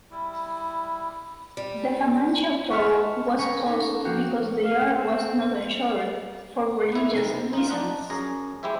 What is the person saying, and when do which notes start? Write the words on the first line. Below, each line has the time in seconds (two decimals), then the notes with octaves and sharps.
The financial trouble was caused because the yard was not insured for religious reasons.
0.11 G3 E4
1.57 G3
2.70 F#5 A5 B5 C#6 E6 F6
2.84 E5
3.38 C#4 A4 G#5 A#5 B5 C#6
3.66 D#4 A4 B4
4.05 F3 A#3 C4 D4 F#4 G4
4.64 F5
4.95 C4
6.92 B3 E4
7.14 B1 C3
7.53 D#4 F4
7.69 D4 D#4 F#5
8.10 F#2 G#4 A#5
8.63 G#3 E4 G4 C5 E5